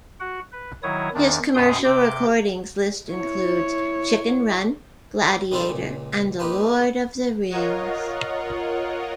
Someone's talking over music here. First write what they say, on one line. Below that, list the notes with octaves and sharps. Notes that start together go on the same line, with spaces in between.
His commercial recordings list includes "Chicken Run", "Gladiator" and "The Lord of the Rings".
F#4 F#5
B4
D#3 F#3 E4 C#5 D#6
E2 D#3 D4
F#2 B2 G5 C6 D#6 G6
C3 D6 G6
E4 C#5
D#3 G3 D4 F4 A4 C5
C#2 A#2
A#3 D#4 G4 B4 C5
F4 A#4 C#5 D#5 F#5